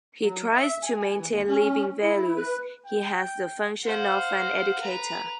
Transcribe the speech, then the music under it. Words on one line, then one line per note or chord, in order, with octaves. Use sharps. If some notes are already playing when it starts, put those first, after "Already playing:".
He tries to maintain living values, he has the function of an educator.
F#3
E5
G#5
G#5
E3
D#2
C#4
E4
B4
G5
C5 F5 F#5
B4 A#5